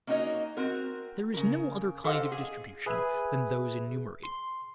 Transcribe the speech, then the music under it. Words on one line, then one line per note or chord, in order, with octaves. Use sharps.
There is no other kind of distribution than those enumerated.
A#3 C#4 D#4 F#4 C#5 D#5
C4 F#4 A#4
C#3 A#4
G4 A4 C5 D#5 F5 F#5
G#4
G#4 B4 E5 G#5
C6